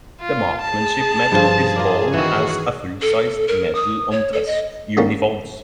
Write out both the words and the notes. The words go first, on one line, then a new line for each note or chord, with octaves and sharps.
The Marksmanship Medal is worn as a full-sized medal on dress uniforms.
F4
G#4 A5
G2 F3 F4
F4 A#4 D5
D#3 E3 F#4
A4
A#4
D#6
C#5
A4
D#5
D3 D#3 G3 A#3 C#4